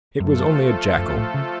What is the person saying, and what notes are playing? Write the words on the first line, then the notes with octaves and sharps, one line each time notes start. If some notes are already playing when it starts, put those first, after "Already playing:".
It was only a jackal.'
F#2 F3 A3 F4 A4
F#2
A2
C#3